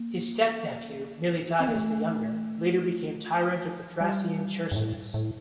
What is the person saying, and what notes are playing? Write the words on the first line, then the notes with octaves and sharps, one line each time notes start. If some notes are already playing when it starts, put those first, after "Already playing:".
His step-nephew, Miltiades the Younger, later became tyrant of the Thracian Chersonese.
Already playing: A#3
C4
A#3
A3
G3
G2
A2
A2